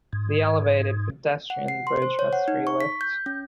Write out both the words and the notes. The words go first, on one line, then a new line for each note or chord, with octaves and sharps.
The elevated pedestrian bridge has three lifts.
G#2
F#5
C7
C6
C5
C#5
F#5
D#4
C#6
B6
G6
C#4